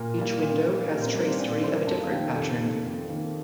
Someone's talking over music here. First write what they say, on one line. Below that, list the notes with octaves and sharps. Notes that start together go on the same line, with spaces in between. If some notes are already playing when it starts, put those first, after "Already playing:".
Each window has tracery of a different pattern.
Already playing: A#2 A#4
G3 A#3
A#2
G3 A#3
A#2 A#4
C4 C5
G3 A#3 D4 D5
C4 C5
A#2 D4 D5
G3 A#3 C5 C6
A#4 A#5
F2 A4 A5
F5
D#3 A#3 G4 G5
F2 A4 A5
D#3 A#3
F2
D#3 A#3